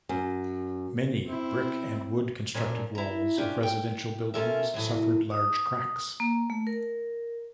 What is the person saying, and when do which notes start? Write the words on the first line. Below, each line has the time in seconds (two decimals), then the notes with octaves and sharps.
Many brick and wood constructed walls of residential buildings suffered large cracks.
0.09 F#2
1.26 C4 E4
2.54 A#2 F#3 C#4 D4
2.95 E4 A#5
3.38 C#4 D4 F4 G4
3.63 G5
4.34 C#4 F4 A4 A#4 E5
4.74 A2 E3 F#3
5.31 D#6
6.20 A#3
6.50 A3
6.67 A#4